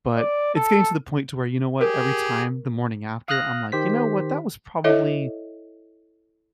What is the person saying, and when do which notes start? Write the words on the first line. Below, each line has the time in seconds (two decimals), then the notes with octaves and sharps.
but it's getting to the point to where, you know what, every time the morning after, I'm like, "You know what, that was probably
0.16 D5
0.55 A4
1.81 G4 G#4 A#4
3.28 F5 D#6 F6 F#6 A#6
3.72 D#3 G4 C5 B6
4.84 E4 A4 C#5 D#5 E5